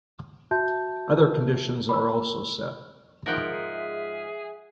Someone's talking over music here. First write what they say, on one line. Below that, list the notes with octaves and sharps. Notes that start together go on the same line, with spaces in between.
Other conditions are also set.
F#4 E5 A5 G6
B5 E6
G#2 F3 G#3 A#4 E5 F#5 G5
G#4